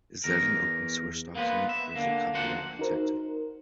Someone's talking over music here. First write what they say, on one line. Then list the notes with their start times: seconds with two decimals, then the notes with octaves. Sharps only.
Is that an open source document, or is it copyright-protected?
0.24 E2 A#4
1.35 A#3 B3 B4 C5
1.69 E5
1.95 D3 A#3
2.34 D2 F3 A#3 C5 F#5
2.79 D#4 F#4 A#4 C5